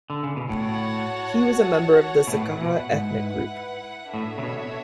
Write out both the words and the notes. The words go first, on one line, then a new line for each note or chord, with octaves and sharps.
He was a member of the Nzakara ethnic group.
D3
C#3
B2
A2 F#4 C#5 F#5 A5
B2
A2 E4 B4 F#5
B2
G#2
A2 D4 F#4 A4 C#5 E5
C#3
B2